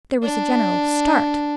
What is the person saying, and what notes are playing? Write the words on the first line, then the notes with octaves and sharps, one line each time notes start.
There was a general start.
D4